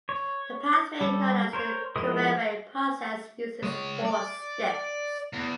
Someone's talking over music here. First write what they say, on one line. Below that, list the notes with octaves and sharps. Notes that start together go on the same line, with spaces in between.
The pathway known as the Kuraray Process uses four steps.
C#5
G3 A4
A#4 C5 C#5
F3 G#3 E4 A#4 D#6
G#3 C#5
D5
E2